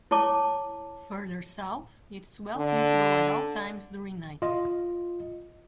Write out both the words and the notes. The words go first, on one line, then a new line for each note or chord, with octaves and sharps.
Further south, it is well visible at all times during night.
E4 C#5 A5 D6
D3
F4 D#5